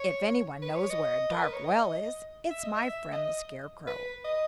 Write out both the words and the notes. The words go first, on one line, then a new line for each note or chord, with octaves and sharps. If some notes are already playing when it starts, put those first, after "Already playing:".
"If anyone knows where a dark well is, it's my friend the Scarecrow."
Already playing: C#5
B4
C#5
D#5
A#4
B4
C#5
D#5
E5
D#5
E5
D#5
B4
D#5